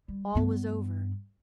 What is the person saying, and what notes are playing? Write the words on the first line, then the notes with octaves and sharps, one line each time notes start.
All was over.
G3
G2 B3